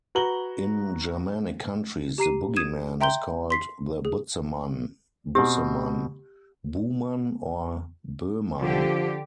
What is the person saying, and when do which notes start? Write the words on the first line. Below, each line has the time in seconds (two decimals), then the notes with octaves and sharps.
In Germanic countries, the bogeyman is called the "butzemann", "busseman", "buhman", or "boeman".
0.15 F#4 B4 A#5 F#7 G7
2.18 G4 A#5 C7 D#7
2.56 D#6 G#6 D#7 E7
3.01 E5 G5 A#5 C6 G6 G7
3.50 C6 B6 C7
4.05 G#4
5.35 B2 C4 G4
8.61 D3 F3 G4